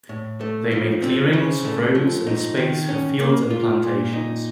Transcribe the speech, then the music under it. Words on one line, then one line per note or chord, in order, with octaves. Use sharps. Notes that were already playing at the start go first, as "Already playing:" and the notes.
They made clearings, roads and space for fields and plantations.
A2
A3
F3
C4
C#3
A3
F3
D#4
D#3
C#4
A#3
F4
A#2
D#4